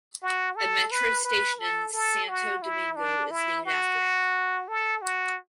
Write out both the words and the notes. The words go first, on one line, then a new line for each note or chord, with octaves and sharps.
A metro station in Santo Domingo is named after him.
F#4
A4
B4
B4
A4
A4
F#4
E4
D4
E4
F#4
A4
F#4